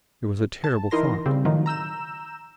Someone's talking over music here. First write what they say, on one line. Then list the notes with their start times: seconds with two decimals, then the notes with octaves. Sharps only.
It was a terrible thought.
0.64 A5
0.91 E3 D#4 E4 A#4 C6 A#6
1.26 C#3 G3 C4
1.45 A2 D#3 F3 F#3 D#4
1.66 A#5 E6 G6 E7